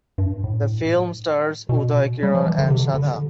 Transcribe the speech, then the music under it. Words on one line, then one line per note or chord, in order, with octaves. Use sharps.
The film stars Uday Kiran and Sadha.
G2
A2
B2
G3
F3
E3
D3
C3
D3